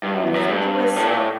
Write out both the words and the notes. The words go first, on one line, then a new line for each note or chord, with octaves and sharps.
I think it was
G2
F#2
E2
F#2
G2
A2
A#2
A2